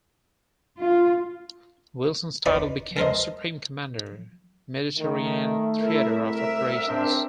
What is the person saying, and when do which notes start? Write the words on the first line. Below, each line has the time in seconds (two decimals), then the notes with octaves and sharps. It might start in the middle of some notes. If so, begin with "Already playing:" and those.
Wilson's title became Supreme Commander, Mediterranean Theatre of Operations.
0.79 F4
2.46 D#4 B4 D5 B5 C#6
2.97 A4 A#4 C5 D#5
4.97 D#3 A3
5.82 C2 E4 A#4 E5
6.27 A#4 E5
6.85 C#3 C4 D4